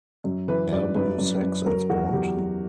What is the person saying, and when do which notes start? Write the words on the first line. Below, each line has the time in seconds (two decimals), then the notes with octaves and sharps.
Album Sex and Sport?
0.24 F#2
0.48 E3 B4
0.72 F#2 D5
0.95 F#2 B4
1.19 F#2
1.42 F#2
1.66 F#3 A#4
1.89 E2 F#4
2.13 E2 G4
2.37 F#3